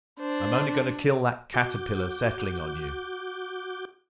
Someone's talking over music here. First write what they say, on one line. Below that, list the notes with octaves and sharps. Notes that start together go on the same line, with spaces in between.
I am only going to kill that caterpillar settling on you.
D4 C5
F#4 D6 G6